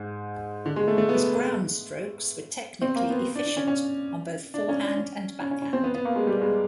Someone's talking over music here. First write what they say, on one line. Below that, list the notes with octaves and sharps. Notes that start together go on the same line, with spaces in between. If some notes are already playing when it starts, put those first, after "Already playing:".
His groundstrokes were technically efficient on both forehand and backhand.
Already playing: G#2
D3
G#3
A3
A3
B3
C4
A#3
B3
D4
D4
C#4
C#4
D4
C#4
D4
C#4
C#4
C#4
C#4
C4
B3
B3
A#3
G#3
G3
G#3